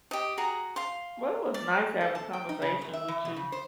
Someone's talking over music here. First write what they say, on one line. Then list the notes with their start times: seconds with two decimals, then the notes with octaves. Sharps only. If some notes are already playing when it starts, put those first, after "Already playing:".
Well, it was nice having a conversation with you.
0.11 G4 D#5
0.38 F#4 G#4 A#5
0.76 F5 C6
1.54 D5
2.01 A4
2.15 A5
2.33 G5
2.49 D#4
2.62 C#3
2.82 F#2
2.93 E5
3.08 E3
3.25 B2
3.37 C#3
3.52 C5